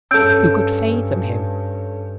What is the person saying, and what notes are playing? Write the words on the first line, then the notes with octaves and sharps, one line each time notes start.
Who could fathom him?
G2 C#4 A4 E6 G6 D7